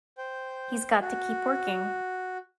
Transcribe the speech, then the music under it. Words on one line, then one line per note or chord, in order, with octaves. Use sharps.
He's got to keep working.
C5 G5
F#4